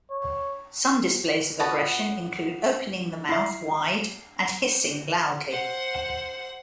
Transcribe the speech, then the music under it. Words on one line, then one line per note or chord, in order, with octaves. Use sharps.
Some displays of aggression include opening the mouth wide and hissing loudly.
C#5
B3 F#4 A5
E4 E5 B5 C7
C5 F#5